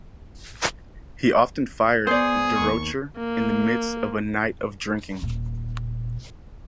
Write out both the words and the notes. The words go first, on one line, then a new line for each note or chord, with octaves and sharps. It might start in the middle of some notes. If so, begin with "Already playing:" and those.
He often fired Durocher in the midst of a night of drinking.
B3 G#4 C5 D5
D#2 C#6
A#3
D#1 A#2